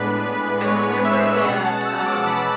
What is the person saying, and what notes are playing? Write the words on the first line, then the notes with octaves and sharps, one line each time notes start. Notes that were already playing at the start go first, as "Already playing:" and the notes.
I remember that, um
Already playing: A2 G#3 B3 D4 B4
A2 G#3 B3 D4 C#5
E5
B2 G#3 C#4 F#5
A5
E6
D6
B2 G#3 C#4 B5